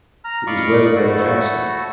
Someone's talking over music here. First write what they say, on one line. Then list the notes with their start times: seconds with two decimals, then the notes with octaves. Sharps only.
It was where the girl had stopped.
0.24 A#5 F6
0.47 D5 D#5 F5 B5 C#6 D6
0.96 A3 E4 F#4 A4